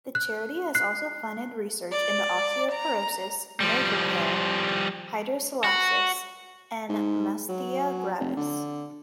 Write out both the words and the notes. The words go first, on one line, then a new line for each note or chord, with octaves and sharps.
The charity has also funded research into osteoporosis, nerve repair, hydrocephalus and myasthenia gravis.
F#6
F#6 C7
D5
A#5
F3 G3
F#4
G#2
F#3
F1
D3